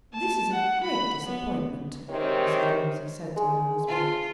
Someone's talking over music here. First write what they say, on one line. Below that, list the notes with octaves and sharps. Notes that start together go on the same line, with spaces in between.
"This is a great disappointment," Mrs. Romsey said to her husband.
A5
F#5
B5
B3
C3 D#3 G#3 C4 C#5
G#3
F4 C5 A5